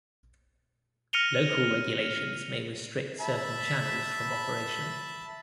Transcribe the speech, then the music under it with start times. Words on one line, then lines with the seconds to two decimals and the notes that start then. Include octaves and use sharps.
Local regulations may restrict certain channels from operation.
1.13 F6 A#6 C#7 D#7 F7 G7
3.21 E5 A5 B5